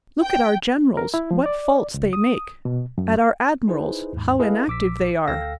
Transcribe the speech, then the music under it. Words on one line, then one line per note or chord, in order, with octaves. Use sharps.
Look at our generals, what faults they make; at our admirals, how inactive they are.
G5
A#4
E4
F3
D5
C#2
D#6
B2
F#2
D#4 E4 G#4 B4 C5
D#2 G#2
E4 G#4 A4 B4 D#5 F5
A#1 D6 E6 B6
D2 A4 F5 G5 E6 A#6